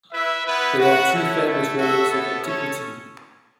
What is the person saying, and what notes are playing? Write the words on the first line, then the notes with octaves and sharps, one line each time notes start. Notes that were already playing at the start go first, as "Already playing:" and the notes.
There are two famous relics of antiquity.
E4 B4 E5
B3 E4 B4
F#4 B4 F#5
C#4 E4 A4
A3 E4 A4
F#4 A4 E5
B3 E4 A4
C#4 A4 C#5